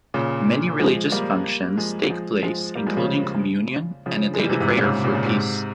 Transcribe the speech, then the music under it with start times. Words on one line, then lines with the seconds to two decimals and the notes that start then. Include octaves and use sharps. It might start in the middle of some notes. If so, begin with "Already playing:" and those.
Many religious functions take place including communion and a daily prayer for peace.
0.14 A#2 C#3
0.79 F3 G#3
1.12 G3 A#3
1.77 F3 G#3
2.10 F3 G#3
2.43 F3 G#3
2.75 G3 A#3
2.86 F3 G#3
2.92 G3
2.97 C#3 F3
4.06 C#3 F3
4.34 G#3
4.38 E3 G3
4.49 C3 E3
4.60 G#2 C3
4.71 A#2
4.78 C#3
4.82 G#2 C3
5.04 A#2 C#3
5.15 A#2
5.26 G#2 C3